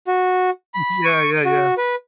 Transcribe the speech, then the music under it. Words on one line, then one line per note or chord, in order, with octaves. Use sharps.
Yeah, yeah, yeah.
F#4
B5
C#6
F#4
B4